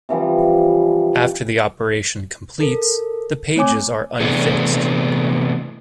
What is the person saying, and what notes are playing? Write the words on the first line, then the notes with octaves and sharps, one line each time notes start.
After the operation completes, the pages are unfixed.
C3 E3 F3 G3
A4 A#4
A3 C4 C#5 G#5 D6
C3 E3 A3 B3 D4 G#4